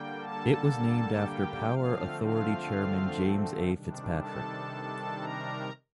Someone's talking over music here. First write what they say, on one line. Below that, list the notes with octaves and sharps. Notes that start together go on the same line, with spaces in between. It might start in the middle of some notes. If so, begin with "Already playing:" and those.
It was named after Power Authority Chairman James A. FitzPatrick.
Already playing: D3 G3 A#3 G5
A4 A5
G4 G5
D3 F3 A3 C4 F4 F5
F4 F5
C3 D#3 G3 D4
A4 A5
A#4 A#5